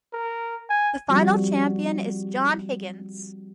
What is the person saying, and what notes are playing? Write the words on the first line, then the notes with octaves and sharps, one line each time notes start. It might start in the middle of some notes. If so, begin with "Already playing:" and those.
The final champion is John Higgins.
A#4
G#5
F3 G3 C4 F#4